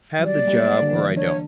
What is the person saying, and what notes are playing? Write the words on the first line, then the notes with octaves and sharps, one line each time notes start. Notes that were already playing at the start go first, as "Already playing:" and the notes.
have the job or I don't.
F#3
G3 D5
A#3
G3
A#3
G3
A#3
D3
E3
F#3
D4 C#5